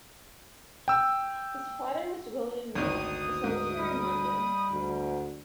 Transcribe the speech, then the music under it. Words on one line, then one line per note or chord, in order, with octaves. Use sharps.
His father was William Neal, a solicitor in London.
G5 E6
G#1 D2 D#3 D#6
G#2
G3
D2